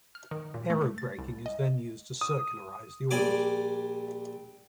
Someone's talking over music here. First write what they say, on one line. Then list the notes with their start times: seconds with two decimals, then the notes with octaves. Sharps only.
Aerobraking is then used to circularize the orbit.
0.15 F6
0.31 D#3
0.54 A#2
0.70 A3
0.98 A6
1.18 C2
1.46 D#5
2.21 D#6
3.11 A#1 G3 D5 G#5 D6